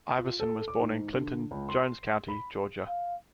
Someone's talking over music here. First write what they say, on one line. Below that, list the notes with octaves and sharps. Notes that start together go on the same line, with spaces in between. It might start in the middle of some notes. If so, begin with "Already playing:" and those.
Iverson was born in Clinton, Jones County, Georgia.
F4
A4
D6
G#2
D3
C#2
C6
B5
F5